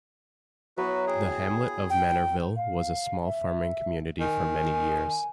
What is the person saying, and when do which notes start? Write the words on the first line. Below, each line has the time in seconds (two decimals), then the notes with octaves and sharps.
The hamlet of Manorville was a small farming community for many years.
0.78 F#3 B3 E4 F#4 B4
1.07 G#4 G5
1.60 B5
1.90 G5
2.56 F5
3.25 E5
4.20 D#3 G#5